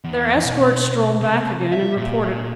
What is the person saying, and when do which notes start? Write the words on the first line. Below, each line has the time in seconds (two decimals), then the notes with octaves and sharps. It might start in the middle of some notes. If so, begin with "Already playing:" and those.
Their escort strolled back again, and reported.
0.04 E2
0.45 B2
1.21 C3
1.72 E5
1.97 A#2